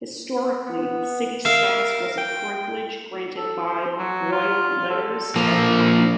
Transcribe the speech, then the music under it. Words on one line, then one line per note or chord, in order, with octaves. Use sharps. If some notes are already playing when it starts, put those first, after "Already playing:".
Historically, city status was a privilege granted by royal letters of patent.
B3
A#4 E5 F5
G5
A4
C5
F#3
F4
A4
F3 A#3